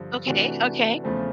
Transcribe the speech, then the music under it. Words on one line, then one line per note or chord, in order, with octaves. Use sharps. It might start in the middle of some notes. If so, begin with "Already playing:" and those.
Okay, okay.
Already playing: G2 D3 F3
C3 E3 A3 D4 F#4
E2 C#3 F3 A3 C4